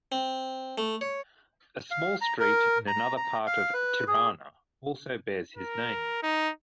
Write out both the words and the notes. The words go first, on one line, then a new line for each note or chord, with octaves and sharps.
A small street in another part of Tirana also bears his name.
C4
A3
C#5
F5
A#5
A#4
A#5
A#5
F5
B4
G#4
A#4
D#4